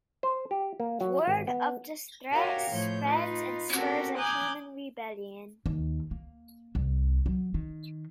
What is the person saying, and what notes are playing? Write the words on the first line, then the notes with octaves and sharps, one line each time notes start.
Word of this threat spreads and spurs a human rebellion.
C5
G4
A#3
F#3
G#1
B3
F#4 G4 A#4 C#5 F5 G5
A2 F3 C#5 G6
D#4 F4 B4
C4 C#4 F#4 G4 A4 A#4
G#5 A#5 D6 D#6 F#6 G6
D#2
A#3
C2
F#3
D#3